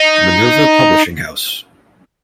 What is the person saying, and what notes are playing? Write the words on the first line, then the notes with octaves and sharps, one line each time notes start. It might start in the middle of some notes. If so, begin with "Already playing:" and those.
Minerva Publishing House.
Already playing: D#4